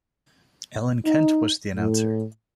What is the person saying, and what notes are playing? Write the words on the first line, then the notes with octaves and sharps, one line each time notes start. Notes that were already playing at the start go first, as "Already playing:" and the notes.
Alan Kent was the announcer.
D#4
A2